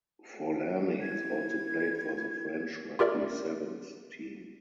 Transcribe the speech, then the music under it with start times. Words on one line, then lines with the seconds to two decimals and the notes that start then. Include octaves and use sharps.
Forlani has also played for the French rugby sevens team.
1.02 E4 G#6
2.99 F4 G4 A#4 D5 E5